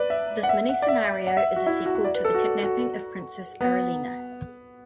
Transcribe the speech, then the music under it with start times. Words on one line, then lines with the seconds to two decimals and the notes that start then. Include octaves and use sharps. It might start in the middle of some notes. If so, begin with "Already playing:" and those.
This miniscenario is a sequel to "The Kidnapping of Princess Arelina".
Already playing: B4 D5
0.10 E5
0.43 F#5
0.49 E5
0.69 F#5
0.82 D5
0.88 E5
1.27 F#5
1.37 E5
1.56 F#4
1.66 E4
1.86 F#4
1.95 F#5
2.04 D5
2.15 B4
2.25 A4
2.34 F#4
2.63 F#4
3.61 B3